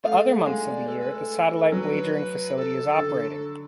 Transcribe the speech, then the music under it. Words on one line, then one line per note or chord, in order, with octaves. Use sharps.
The other months of the year the satellite wagering facility is operating.
A3 F5
F#5
G#3 F5
D5
A4
B4
A4
F#3 B4
A4
D3